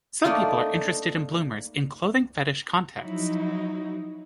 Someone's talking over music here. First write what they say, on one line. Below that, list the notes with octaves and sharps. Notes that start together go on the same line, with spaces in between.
Some people are interested in bloomers in clothing fetish context.
A3 A#3 D4 D#4 F4
F3 F#3 D#4 E4 F#4